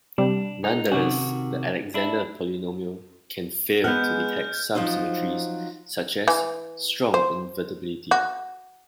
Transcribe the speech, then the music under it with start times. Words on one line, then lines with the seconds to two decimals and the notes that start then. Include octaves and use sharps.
Nonetheless, the Alexander polynomial can fail to detect some symmetries, such as strong invertibility.
0.18 C3 G3 D4
0.64 D#4 G#4
0.92 C3 D#3 C#4 D#4 F#4
1.94 D4 E4
3.84 G#3 B3 F#5 F6 G6
4.75 F3 F#3 C4 D#4
6.28 E3
7.14 C5
8.11 F#4